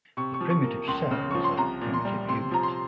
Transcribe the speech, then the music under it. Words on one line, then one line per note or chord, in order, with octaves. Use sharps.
The primitive cell is a "primitive unit".
C3 C#6
C#6
F3
C#6
A#3
C#2 C6
C#3
F3 C#6
C6
C2 A#5
A#2
C6
G3
C3 C6
F3 A#5
C6